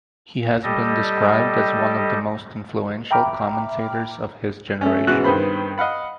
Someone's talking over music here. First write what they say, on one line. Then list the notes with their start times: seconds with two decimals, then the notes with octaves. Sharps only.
He has been described as "one of the most influential commentators of his generation".
0.63 G3 G4 A4 D#5
3.11 E5 G5 A#5 B5 D6 F6
4.81 A3 C#4
5.07 G#2 B2 E3 C#4 F#4 F#6
5.24 G2 D#3 B3 C5 B5
5.78 D#5 F5 F#5 B5